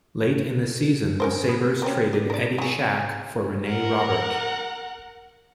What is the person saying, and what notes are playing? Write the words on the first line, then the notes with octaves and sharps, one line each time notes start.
Late in the season the Sabres traded Eddie Shack for Rene Robert.
C#4 A#4 C5
B3
A#3 C4 C#4
D4
A#4 D5
F#3 G#4
A#4 F#5